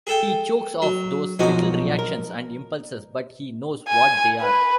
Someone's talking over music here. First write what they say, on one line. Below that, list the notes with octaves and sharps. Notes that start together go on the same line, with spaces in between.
He chokes off those little reactions and impulses, but he knows what they are.
G#4 A4 G5
F#3
B1 F3 D#4 F#4 D6
A#4
G#5
B4